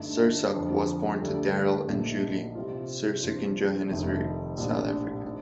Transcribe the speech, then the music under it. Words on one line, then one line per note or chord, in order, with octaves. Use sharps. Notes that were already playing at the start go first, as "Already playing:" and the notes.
Sursok was born to Daryl and Julie Sursok in Johannesburg, South Africa.
Already playing: G2 D3 A3 D#4
F2 D3 F3
D2 D3 G3 D4 A4
A#1 A#2 A3 D#4
C3 G3 C4 F4
G2 F3 C4 F4
F1 F2 D#3 A3 D#4
A#1 A2 G3 D4
C4 D#4